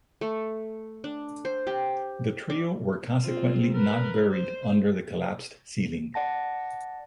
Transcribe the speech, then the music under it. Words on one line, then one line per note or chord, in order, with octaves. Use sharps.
The trio were consequently not buried under the collapsed ceiling.
A3
D4
C5
G4
D5
C4 F4
A#4 B4
C5
D5 F#5 A5 A#6